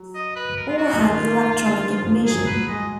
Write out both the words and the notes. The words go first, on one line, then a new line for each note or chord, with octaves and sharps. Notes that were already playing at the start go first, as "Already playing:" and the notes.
All had electronic ignition.
Already playing: F#3
D#5
B4
A#4
F4
F#4
D#3 F4
D3
F3
F#3 G#4
F#3 B4
G#3 D#5